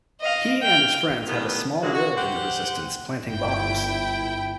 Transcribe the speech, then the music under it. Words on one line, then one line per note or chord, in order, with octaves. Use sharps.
He and his friends have a small role in the Resistance planting bombs.
D#5 F5
G5 F6
A2 D#3 G3 B3
A#2 C#3 F#3 G#3 F#4
F#4
G4 C5 F#5
G1 E4 G5